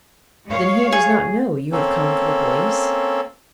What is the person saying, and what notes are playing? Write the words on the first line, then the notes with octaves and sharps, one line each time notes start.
"Then he does not know you have come for the police?"
G#3 C#5 F5
G#4
A#3 C4 C#4 A4